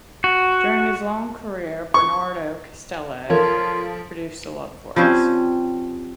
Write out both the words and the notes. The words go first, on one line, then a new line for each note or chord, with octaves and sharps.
During his long career Bernardo Castello produced a lot of works.
F#4
C#6
F3 F4 A4 A#4 C#5
F3 G3 C4 C#4